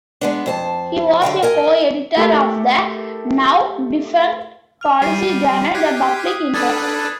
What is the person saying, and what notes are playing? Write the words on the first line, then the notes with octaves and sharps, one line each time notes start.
He was a co-editor of the now-defunct policy journal "The Public Interest".
G#3 B3 D4
F2 C5 A5
F#2 D3 F5 G5
A#4 D#5 G#5
A3 E4 G4 A4 A#4
F6 F7
G3 C7 D#7
G4 F#6 G#6 B6
D#6
D4 A4 B4 D#6 G#6 A6